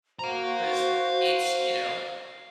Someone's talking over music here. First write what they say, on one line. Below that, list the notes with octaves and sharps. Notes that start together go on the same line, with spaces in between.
'cause it's, you know,
F#4 C5 F5 A#5